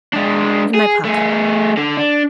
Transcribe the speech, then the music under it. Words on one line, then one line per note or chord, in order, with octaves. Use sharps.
"In my pocket."
G#3 D4
G#4
A3 G#4
D3
D4